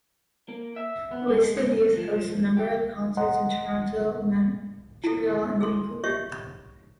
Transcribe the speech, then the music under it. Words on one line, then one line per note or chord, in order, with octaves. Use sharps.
"Wasted Youth" hosts a number of concerts in Toronto, Montreal and Vancouver.
A#3
E5
B3
G#3
G#2
C2
F3
F3
F#2
G4
D#5 F#5 A#5 C6
E4 A4
G#4 A4 C6
G4 C#5 D#5 E5 C#6